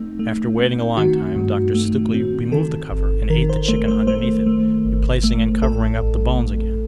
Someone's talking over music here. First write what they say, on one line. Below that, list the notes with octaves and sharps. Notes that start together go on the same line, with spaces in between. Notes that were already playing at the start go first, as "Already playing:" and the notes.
After waiting a long time, Dr. Stukely removed the cover and ate the chicken underneath it, replacing and covering up the bones again.
Already playing: A3 C4 D#4
A3
C4
D#3 F#4
G2
A3
C4
D#3 A4
G1
D#3 A#4
C5
A3 C5
C5
A3 C5
A3
G1
A3
A1 A4
A1
A1